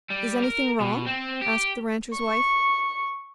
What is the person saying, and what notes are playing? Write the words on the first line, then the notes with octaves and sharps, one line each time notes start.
"Is anything wrong?" asked the rancher's wife.
G3
A#4
B2
C4
G4
C#6